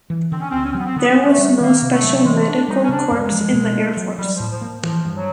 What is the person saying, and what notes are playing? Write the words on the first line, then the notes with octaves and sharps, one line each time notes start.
There was no special medical corps in the air force.
E3
D3 C4
C#4
D2 C4
C#4
C4
F#3 B3
C4
D3 B3
G#3 C4
A3
G3
D#3 A#3
C3
A3
F#3
A3
E3 G#3
B3 D4
G3 D#4
C#4
C#3 D4
F#2 G3
G#3
F3
B2
A#3
F#3
F#3 G3
F3
A2
F3
A#3
E3 F3
G2
F#3